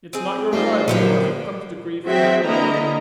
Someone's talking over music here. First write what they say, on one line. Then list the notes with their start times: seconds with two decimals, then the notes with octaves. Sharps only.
It's not your lively horse that comes to grief in that way.
0.13 C4 G#4
0.53 G3 A3 D#4 F4 C5
0.88 F#2 A#2 D3 F3 F#3 B4 C#5 G5
2.05 F#3 C4 F#4 G#4 E5 G5
2.44 D3 A#3 E4 D#5 A#5